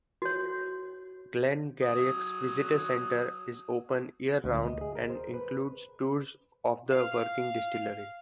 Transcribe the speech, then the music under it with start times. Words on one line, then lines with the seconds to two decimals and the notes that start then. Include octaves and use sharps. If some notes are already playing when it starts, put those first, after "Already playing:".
Glen Garioch's visitor centre is open year-round and includes tours of the working distillery.
0.22 F#4 C#5
1.83 F#3 D#6
4.44 D2
4.65 D#5
4.81 G#4
4.95 A#4
5.10 C5
5.34 B4
6.91 F5